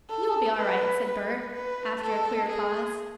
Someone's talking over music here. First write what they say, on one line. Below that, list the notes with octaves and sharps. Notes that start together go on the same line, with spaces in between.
"You'll be all right," said Bert, after a queer pause.
A4
B4
B4
B4
A4
G#4